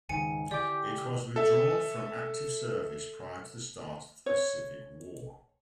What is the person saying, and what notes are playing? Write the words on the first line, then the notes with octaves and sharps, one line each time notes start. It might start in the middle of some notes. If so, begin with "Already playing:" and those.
It was withdrawn from active service prior to the start of the Pacific War.
C#2 G#2 D#3 G#5 C#7
D3 E3 G4 D5 D6
A4 E5
C#5